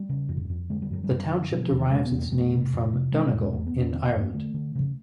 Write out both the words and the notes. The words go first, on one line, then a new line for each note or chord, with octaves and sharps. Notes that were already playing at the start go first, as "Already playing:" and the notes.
The township derives its name from Donegal, in Ireland.
Already playing: G3
C#3
F2
F2
D3 G#3
G3
F#2 F#3
G3
F#2
D3
B2 F#3
F3
E2
D#3
B2 G#3
B3
E2
A#3
F2 A3
C3
F2
C3
B2 G#3
G3
E2
G#3
E2 A3
B3
E2
C#4
D3 C4
A#3
F2
A#3
D3 A3
D3
C#3